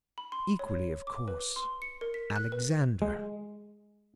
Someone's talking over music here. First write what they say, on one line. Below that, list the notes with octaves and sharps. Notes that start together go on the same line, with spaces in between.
Equally, of course--Alexander.
B5
C6
C#5
D6
B4
C6
C#7
A#4
B6
F#6
B4
G#3